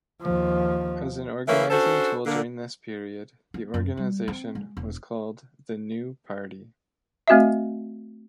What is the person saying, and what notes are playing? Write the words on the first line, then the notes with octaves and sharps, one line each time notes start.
As an organizing tool during this period, the organization was called the New Party.
D#2 F3
E3 A3 A#3 C#4 B4 E5
C#4 D4 F#4 A4 C5
D3 A#3
B3
F#2
G3
C4
G#3
E1
A3 C4 F#4 D#5 E5